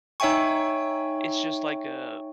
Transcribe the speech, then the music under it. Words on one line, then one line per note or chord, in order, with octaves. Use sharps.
it's just, like, a
D#4 C#5 E5 G5 G#5 C#6